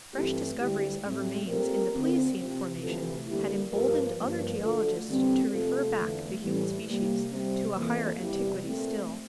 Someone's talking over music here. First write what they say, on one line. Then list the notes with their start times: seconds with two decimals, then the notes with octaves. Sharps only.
Fresh discoveries of remains in the pleiocene formation had emboldened other geologists to refer back the human species to a higher antiquity still.
0.13 G2 E3 A3 C4 E4 G4
0.58 D2 D3 G3 E4 G4
1.03 A2 G3 C4
1.47 A#2 A3 C4 G4 A#4
1.93 D2 D3 F3 C4
2.37 C3 F3 C4
2.82 D2 C3 E3 A3 F4 A4
3.27 D2 D3 G3 A#3 E4 G4
3.71 G2 F3 A#3 G4 A#4
4.16 G2 F3 A#3
4.62 D2 D3 A3 F4 A4
5.07 E2 D3 G3 C4
5.51 F2 C3 F3 A3 C4 F4 A4
5.96 E2 D3 A3
6.40 A2 E3 G3
6.85 C3 G3 A#3
7.30 C3 G3 C4
7.75 F2 E3 A#3
8.20 E2 C3 G3 E4 G4
8.65 A#2 A3 C4